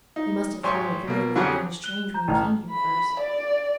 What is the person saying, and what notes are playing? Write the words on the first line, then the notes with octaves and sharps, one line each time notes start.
"You must have found it very lonely and strange when you came here first."
D#4
G#1 G4 C#5 G#5 C6 C#6
B2 A#3
F2 D3 F#3 G4 G#4 F#5
F#6 G7
A#5 G6
A1 A5 A#5 F6
B5
D5